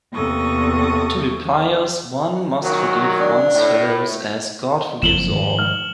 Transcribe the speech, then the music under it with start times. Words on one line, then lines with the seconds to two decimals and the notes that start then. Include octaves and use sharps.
To be pious one must forgive one's fellows as God forgives all.
0.12 E2 C3 A#3 A4 C#6 D#6
2.62 A#2 D#3 F#3
3.20 D4
3.54 A2
5.02 F#1 F2 F3 E7 F#7 G7
5.28 G#2 D#3 F3
5.59 F6